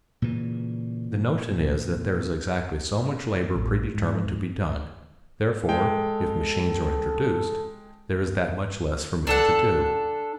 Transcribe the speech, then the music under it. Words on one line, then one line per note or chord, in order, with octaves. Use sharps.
The notion is that there is exactly so much labor predetermined to be done; therefore, if machines are introduced, there is that much less for men to do.
A#2 C#3 E3
A1
G#2
G#3 A4 G5
D4 A4 F#5